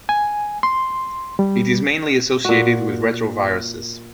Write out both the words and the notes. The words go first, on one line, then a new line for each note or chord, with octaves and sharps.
It is mainly associated with retroviruses.
G#5
C6
G3
A#2 F#4